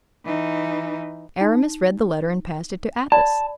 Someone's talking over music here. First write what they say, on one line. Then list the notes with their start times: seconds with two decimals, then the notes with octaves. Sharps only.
Aramis read the letter, and passed it to Athos.
0.25 E3 D#4
1.41 D#4
3.12 D5 A5 B5